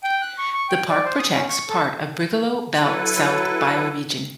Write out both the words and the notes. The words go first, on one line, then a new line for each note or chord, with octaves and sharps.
The park protects part of Brigalow Belt South bioregion.
G5
F#6
C#6
C#6
G5
D5
C5
D#6
C#4
C#6
A4
F#3 E4 A4 B4